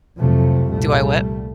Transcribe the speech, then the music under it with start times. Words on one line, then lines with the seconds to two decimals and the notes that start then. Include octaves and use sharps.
Do I what?
0.19 C2 F2 C3 F3 F#3 A3
0.70 C2 A#2 G3 A3